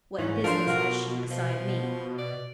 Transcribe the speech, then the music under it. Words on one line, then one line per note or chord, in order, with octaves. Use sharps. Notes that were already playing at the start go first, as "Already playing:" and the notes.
"What business has she beside me!"
G#2 E3 C#4
F3 D4 A4 A#4 C5
B2 F4 F#4
F3
D5